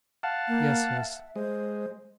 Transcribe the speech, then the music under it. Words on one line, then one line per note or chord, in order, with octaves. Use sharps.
Yes, yes.
F5 F#5 A5
A#3
E5
G#3 C5